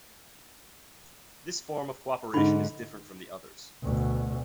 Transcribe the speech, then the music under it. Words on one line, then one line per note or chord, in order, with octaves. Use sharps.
This form of cooperation is different from the others.
G#2 D3 D#4 B5
D2 B2